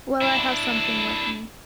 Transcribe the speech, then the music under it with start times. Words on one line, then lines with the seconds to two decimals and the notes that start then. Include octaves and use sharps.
Well I have something with me.
0.21 D4 E4